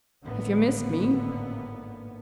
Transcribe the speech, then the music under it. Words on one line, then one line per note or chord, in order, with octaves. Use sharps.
'Have you missed me?'
G#1 A2 D3 A#3 B3